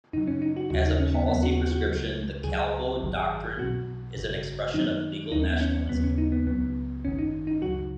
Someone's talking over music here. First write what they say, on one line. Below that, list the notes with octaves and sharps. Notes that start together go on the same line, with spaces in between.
As a policy prescription, the Calvo Doctrine is an expression of legal nationalism.
F#2 C#3 F#3 D#4
C#4
D#4
F#4
D#2 C#3 F#3 F#4
D#4
C#4
B3
D#2 C#3 F#3 B3
F#4
F#4
F#4
C#2 C#3 F#3
C#2 C#3 F#3 G#4
G#1 F#2 D#3 F#3
B1 B2 F#3 F#4
G#1 F#2 C#3
F#2 D#3 F#3 D#4
D#2 D#3 F#3 D#4
C#4
B3
C#4
D#2 C#3 F#3 B3
C#4
D#4
B3
C#2 C#3 F#3 B3
G#1 F#2 D#3 C#4
D#4
D#4
C#2 C#3 F#3 F#4